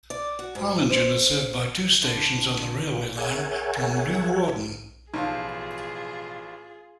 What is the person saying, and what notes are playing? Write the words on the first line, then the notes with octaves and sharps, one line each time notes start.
Harlingen is served by two stations on the railway line from Leeuwarden.
D5
F#4
G#2
C5
D3
G#4 A#4 C#5 E5 F#5 G#5
A1 B2 F3 D#4 F4 G#4 F5